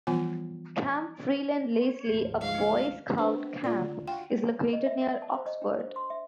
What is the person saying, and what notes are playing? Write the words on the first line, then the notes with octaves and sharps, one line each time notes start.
Camp Freeland Leslie, a Boy Scout camp, is located near Oxford.
E3 F3 G3 B3 F4 G#5
G#1 D2 F3
G#2 F5
B3 C4 D4
A#2 F4 D5
D2
F4 F#4 G5
B4
D#5
E5
E5
A5
C5
D#5
D4
C5
C6
E5